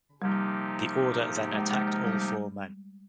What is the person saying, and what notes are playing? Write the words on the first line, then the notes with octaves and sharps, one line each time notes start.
The Order then attacked all four men.
C3 F3 G3 A#3 D#4 G4
G#3
G#3
G#3
G3